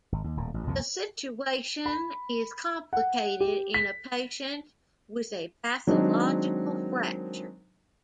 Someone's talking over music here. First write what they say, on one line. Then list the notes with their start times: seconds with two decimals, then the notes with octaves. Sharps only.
The situation is complicated in a patient with a pathological fracture.
0.12 G#1
0.24 D#2
0.37 D#1 A2
0.54 A1
0.67 C2 F2 A#2 C#3
1.86 B5
2.93 F#5
3.40 G4
3.74 B6
5.87 D#3 F#3 G#3 C4 D4 D#4